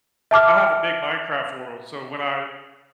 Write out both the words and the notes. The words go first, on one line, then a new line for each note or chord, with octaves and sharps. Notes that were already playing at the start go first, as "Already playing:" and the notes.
I have a big Minecraft world, so when I
E5 A5 D6 F6